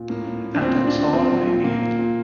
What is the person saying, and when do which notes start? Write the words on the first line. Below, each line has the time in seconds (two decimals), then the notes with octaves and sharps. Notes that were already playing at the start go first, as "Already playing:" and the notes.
And that's all I need.
Already playing: A#2
0.09 A2 A#3
0.27 A2
0.44 A2
0.55 D4
0.61 A#2 C4
0.79 A#2
0.87 D4
0.95 A#2
1.13 A#2 C4
1.30 A#2
1.47 A#2
1.64 A#2 A#3
1.82 A#2
1.99 A#2